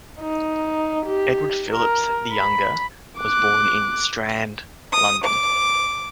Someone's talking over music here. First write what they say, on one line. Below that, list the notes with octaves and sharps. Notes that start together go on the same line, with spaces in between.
Edward Phillips the younger was born in Strand, London.
D#4
G4
A#4
B5
D6 F#6
D#6
D6